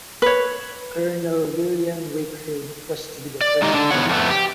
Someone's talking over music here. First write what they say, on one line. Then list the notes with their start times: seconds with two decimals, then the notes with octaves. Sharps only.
Colonel William Wakefield was to be the first President.
0.22 B4 C#5
3.41 D5
3.62 G#3 D#4 G4 D#5
3.74 D3 D4
3.91 E2 D#3 B3 F#4 C#5 F#5
4.09 F2 G#3 A3 B3
4.30 G4